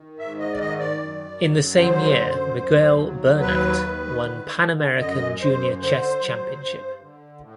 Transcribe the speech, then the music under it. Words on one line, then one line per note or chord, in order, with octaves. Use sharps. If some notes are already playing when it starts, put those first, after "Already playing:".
In the same year Miguel Bernat won Pan American Junior Chess Championship.
Already playing: D#3
G#2 E5
D#5
D5
D#3 D#5
D5
F#2
F#3
D3 C5
F#2
D#2
F#3
D#2 B4
D#3
D3
D3
F#2 D#5
F#2 C5
D3 C5
F#3
G2
D3
A2